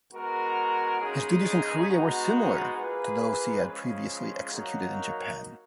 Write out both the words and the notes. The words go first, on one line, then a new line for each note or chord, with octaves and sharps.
His duties in Korea were similar to those he had previously executed in Japan.
G#3 B3 F#4 A#4
C#3 G#3 D#4 G#4
G#3 B3 D#4 F#4
A#3 F4 G#4 B4
C#3 F3 G#3
F#3 A#3 D#4 F#4 A#4